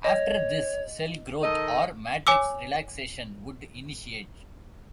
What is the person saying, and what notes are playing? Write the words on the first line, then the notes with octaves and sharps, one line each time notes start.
After this, cell growth, or matrix relaxation would initiate.
C#5 D#5
D#3 A4 D#5
C#5 G#5 D6 E6